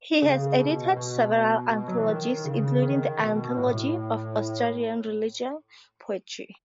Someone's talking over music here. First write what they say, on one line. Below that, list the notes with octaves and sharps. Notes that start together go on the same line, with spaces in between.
He has edited several anthologies, including the "Anthology of Australian Religious Poetry".
C#3
B2
B2
B2
F#3
E3
D#3
C#3
D#3
B2
B2
A2